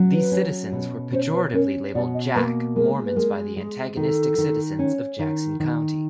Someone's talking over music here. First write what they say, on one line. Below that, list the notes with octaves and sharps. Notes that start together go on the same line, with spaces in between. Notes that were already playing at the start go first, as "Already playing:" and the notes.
These citizens were pejoratively labeled "Jack" Mormons by the antagonistic citizens of Jackson County.
Already playing: F#3 C#4
B4
C#4
B2
C#4 C5
B4
C#4 A#4
B2 D5
D#5
A#3 B4
G#3 A#4
B4
G#3 A#4
G#3 G#4
D#3 A4
D#3
C#4
D#3
D#3